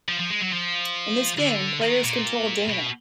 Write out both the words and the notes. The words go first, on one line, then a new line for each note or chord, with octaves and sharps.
In this game, players control Dana.
F3
F3
G#3
F#3
F3
D3
D#3
A#2
B2